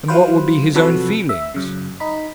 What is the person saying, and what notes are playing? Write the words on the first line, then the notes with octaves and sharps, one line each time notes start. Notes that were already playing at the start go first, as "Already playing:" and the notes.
And what would be his own feelings?
E3 F#3 F4 B4 C5
C3 F3 F#3 F#4 A4 B4
E5
F#2 C#3
D#4 B5